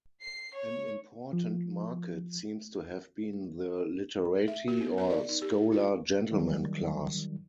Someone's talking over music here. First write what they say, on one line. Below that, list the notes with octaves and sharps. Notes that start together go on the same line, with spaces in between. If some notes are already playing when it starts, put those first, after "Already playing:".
An important market seems to have been the "literati" or scholar-gentleman class.
C7
C#5
F3
E5
F#4
B3
A#4
D5
D#4
G4
F4
D#3 F#3 G3